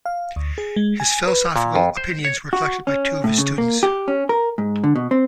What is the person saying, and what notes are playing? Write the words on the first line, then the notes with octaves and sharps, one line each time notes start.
His philosophical opinions were collected by two of his students.
F5
D2
G#4
G#3
G#5
B4
A#2
F2
C5
C#5
F#4
C#4
A2
C#3
A#3
G4
C#4
A#4
G#2
D3
B2
C4